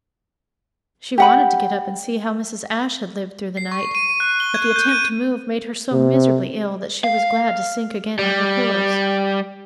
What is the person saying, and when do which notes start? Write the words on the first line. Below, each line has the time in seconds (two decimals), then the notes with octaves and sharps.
She wanted to get up and see how Mrs. Ashe had lived through the night, but the attempt to move made her so miserably ill that she was glad to sink again on her pillows.
1.18 G4 F#5 B5
3.57 C7
3.71 C#6
3.95 D#7
4.20 F#6
4.40 G7
4.54 G#6
4.76 G6
4.89 D#7
5.92 C3
7.04 F5
8.19 G3